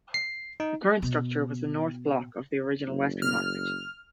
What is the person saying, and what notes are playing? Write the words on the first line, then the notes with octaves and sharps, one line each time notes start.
The current structure was the North Block of the original Western Market.
C7
D#4
B2
F#1
F6